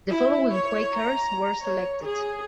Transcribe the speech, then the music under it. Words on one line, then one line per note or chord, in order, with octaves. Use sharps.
The following Quakers were selected.
E4
C#5
A#5
C#5
G#4